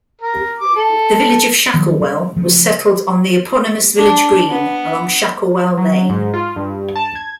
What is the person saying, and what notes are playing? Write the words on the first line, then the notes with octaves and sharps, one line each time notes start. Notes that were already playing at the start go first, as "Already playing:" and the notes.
The village of Shacklewell was settled on the eponymous village green, along Shacklewell Lane.
A#4
D6
A4
D#3 F3 F#3 A#3
C3 G3
C#3 F3 A3
D4
B3
F#3
G#2
F4
G2
A5
G#6